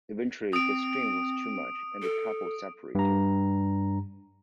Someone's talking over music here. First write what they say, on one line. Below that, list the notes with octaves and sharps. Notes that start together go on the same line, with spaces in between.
Eventually, the strain was too much and the couple separated.
C4 D#6 D7
A4
G2 A#5